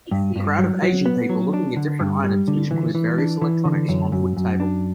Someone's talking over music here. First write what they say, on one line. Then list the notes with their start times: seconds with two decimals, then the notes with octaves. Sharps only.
Crowd of asian people looking at different items which include various electronics on wood table.
0.11 G2
0.36 G2
0.58 F#3
0.82 F#3
1.06 B3
1.29 F#3
1.54 D4
1.77 D3
2.00 G2
2.24 G3
2.48 D3
2.71 E3
2.95 E3
3.18 D4
3.42 E3
3.65 D3
3.89 F#2
4.12 F#2
4.37 F#2
4.60 D4